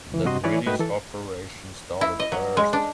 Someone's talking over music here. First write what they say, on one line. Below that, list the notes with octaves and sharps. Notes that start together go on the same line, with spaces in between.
The British operation started first.
C#2 E3
G2 C3 F#4 D#5 C6
E3 E4 B4 C#5 D5 G#5
G#2 A3 F#4 B4 D#5 G5
E3 A4
E4
D#5
F#3
G#3
D4